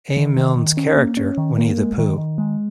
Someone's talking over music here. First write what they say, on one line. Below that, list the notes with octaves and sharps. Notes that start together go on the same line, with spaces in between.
A. Milne's character, Winnie-the-Pooh.
D#3
D#3
D#3
C#4
A#3
C#4
D#3
A#3
G#3
D#3
D#3
G#3